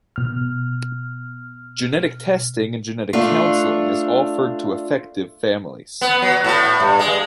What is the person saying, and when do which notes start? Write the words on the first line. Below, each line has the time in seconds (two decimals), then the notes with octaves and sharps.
Genetic testing and genetic counseling is offered to affected families.
0.16 B2 F6
3.13 A3 D4 F4
6.01 B3
6.22 F#3
6.44 A2
6.80 G2
6.99 G#3